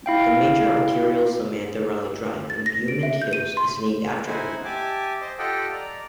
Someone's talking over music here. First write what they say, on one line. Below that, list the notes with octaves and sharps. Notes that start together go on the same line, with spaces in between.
The major arterial Samantha Riley Drive in Beaumont Hills is named after her.
E4 F5 G5
A6
A#6
D7
E5
G6
D#7
C6
D#4 E4 C5 F#5 G#5 B5
G4 E5 G#5 A5 D6
C5 D#5 C6
F4 G4 A4 D#5 F#5 G5
D5 A#5